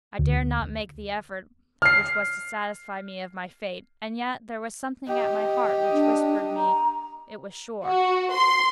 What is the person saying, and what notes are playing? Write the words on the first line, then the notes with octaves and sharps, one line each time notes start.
I dared not make the effort which was to satisfy me of my fate--and yet there was something at my heart which whispered me it was sure.
D2
F6 C7
G4 D#5
D4
A#5
F#4
C6